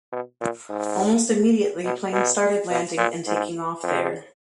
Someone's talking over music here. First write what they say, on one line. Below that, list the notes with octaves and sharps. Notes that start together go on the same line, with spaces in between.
Almost immediately, planes started landing and taking off there.
B2
A#2
G#2
B2
B2
B2
A#2
G#2
F2